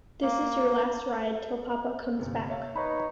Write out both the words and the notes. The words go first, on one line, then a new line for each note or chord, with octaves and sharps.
This is your last ride, till papa comes back.
A#3
G1 C3
C#5 E5 F5
D#4 B4 C#5 B5